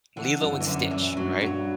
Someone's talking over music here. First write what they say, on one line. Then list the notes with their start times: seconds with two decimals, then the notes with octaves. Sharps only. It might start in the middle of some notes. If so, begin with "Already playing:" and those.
Lilo and Stitch, right?
0.16 D3 E3
0.41 G1
0.60 E3
0.67 F#2 D3
0.91 F#2 E3
1.16 G2 F#3
1.41 G2 F#3